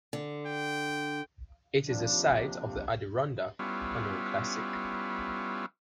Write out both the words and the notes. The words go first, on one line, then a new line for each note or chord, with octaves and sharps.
It is the site of the Adirondack Canoe Classic.
D3
G5
D#2 C3 F3 G3 D4
G3 B3 C#4 E4 F4